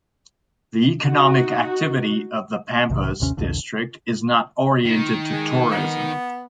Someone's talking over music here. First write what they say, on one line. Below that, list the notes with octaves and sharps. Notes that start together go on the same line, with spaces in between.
The economic activity of the Pampas district is not oriented to tourism.
D#4 F#4
B1 G#2 C3 D#3
A1 D#2 C3 C#4
B1 E2 A#2 D3
D#3
G#3
B3